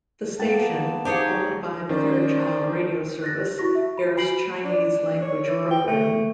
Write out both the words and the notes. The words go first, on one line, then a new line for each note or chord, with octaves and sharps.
The station, owned by the Fairchild Radio service, airs Chinese language programming.
G#3 A#3 B3 G5 A5 A6
D#4 G4 G#4 C5 C#5 F5 A5
F3
D#3 C#4 C5 D5
D4
F#6 A6 A#6
G4
E4 F#4 C#6 A#6
E5
B5
F#4 G#5 B5 C7 D7 F#7
D4
C#5
E3
G5
A3